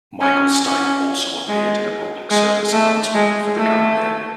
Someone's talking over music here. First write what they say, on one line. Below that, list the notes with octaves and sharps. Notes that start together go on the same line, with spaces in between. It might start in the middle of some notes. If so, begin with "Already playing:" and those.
Michael Stipe also appeared in a public service announcement for the campaign.
C#4
C#4
G#3
G#3
A3
G#3
A3